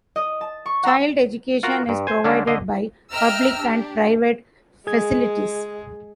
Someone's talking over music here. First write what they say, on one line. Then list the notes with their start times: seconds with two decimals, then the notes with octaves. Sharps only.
Child education is provided by public and private facilities.
0.16 D#5
0.41 A5
0.66 C#6
0.83 F#5 A#5 C6 E6
1.63 F4 F#4 A#4
1.89 G2
2.07 C5 G#5
2.24 D3 G#3 C#4 D4
2.47 D3 D#5
3.13 D#5 E5 G5 A#5 E6 F6
3.60 D4 G4
4.87 G#3 G#4 G#6